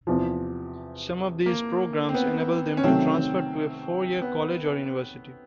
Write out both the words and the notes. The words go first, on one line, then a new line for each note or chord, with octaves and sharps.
Some of these programs enable them to transfer to a four-year college or university.
E2 C3 F3
A#3
C4
B3
C#4
C3 D#3 F#3 A3 C4
B3